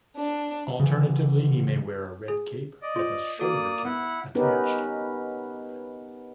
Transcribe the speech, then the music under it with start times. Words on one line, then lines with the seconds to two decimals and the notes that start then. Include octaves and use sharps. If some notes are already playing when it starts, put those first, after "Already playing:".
Alternatively, he may wear a red cape with a shoulder cape attached.
0.17 D4
0.80 C#3 E3
2.28 G#4
2.82 D5 D#5
2.96 F4 C5
3.39 A#3 F#4 A4 D5 D#6
3.85 B3 E4 F#5
4.35 B3 C#4 D#4 G4 A#4 B4